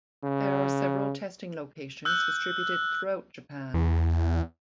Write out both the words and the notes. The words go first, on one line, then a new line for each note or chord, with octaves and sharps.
There are several testing locations distributed throughout Japan.
C#3
E6 F#6 G6
E2